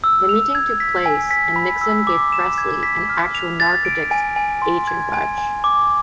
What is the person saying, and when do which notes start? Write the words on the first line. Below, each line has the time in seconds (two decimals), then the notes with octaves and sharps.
The meeting took place and Nixon gave Presley an actual narcotics agent badge.
0.04 E6
0.29 F7
0.55 G#6
0.80 B6
1.06 G#5
1.31 B6
1.56 B5
1.81 E6
2.07 D6
2.32 E7
2.58 G#6
2.83 B6
3.10 F6
3.35 F7
3.60 A6
3.85 D7
4.11 G#5
4.36 G#5
4.62 C6
4.87 G#6
5.13 G#5
5.38 G#5
5.64 D6